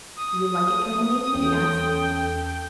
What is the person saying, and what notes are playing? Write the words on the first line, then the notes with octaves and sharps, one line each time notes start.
"Do you like it, Kilmeny?" he asked.
D#6
E2 C#4 A4 G5